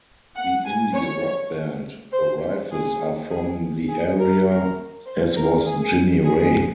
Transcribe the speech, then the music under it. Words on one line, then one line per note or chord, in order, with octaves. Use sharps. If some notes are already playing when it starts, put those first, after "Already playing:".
The indie rock band The Rifles are from the area as was Jimmy Ray.
F#5
G#5
C#5
C5
G#4
G#4
G#4
A#4
A#4
C5
A#4
G#4
G#4